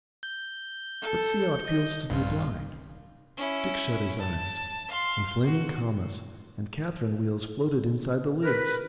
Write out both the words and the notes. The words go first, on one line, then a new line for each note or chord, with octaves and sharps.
Let's see how it feels to be blind.' Dick shut his eyes, and flaming commas and Catherine-wheels floated inside the lids.
G6
A4
D#5
A#1 G2 F4
C#4 E4
A5
F5 C6
F#4
A#4 B4